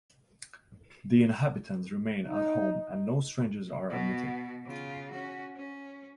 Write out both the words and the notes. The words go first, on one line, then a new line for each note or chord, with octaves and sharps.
The inhabitants remain at home and no strangers are admitted.
D#4
B2 F#4
C#3 F4
C#4 F#4
C#4